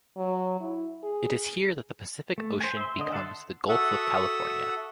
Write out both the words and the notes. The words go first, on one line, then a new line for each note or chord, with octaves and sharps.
It is here that the Pacific Ocean becomes the Gulf of California.
F#3
E4
G#4
A3
C5 G#5
E5 C6
D3 D#5
E5 F#5 A5 C6
F#4 A4 E5 F#5 D#6 E6